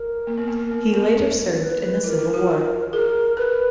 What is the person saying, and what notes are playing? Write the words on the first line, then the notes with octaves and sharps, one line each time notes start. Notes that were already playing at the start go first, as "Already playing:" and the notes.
He later served in the Civil War.
Already playing: A#4
A#3
B3
A#3
B3
B3
C4
B4
E4 A#4
E4
F4
F#4
G#4 A#4
A#4 B4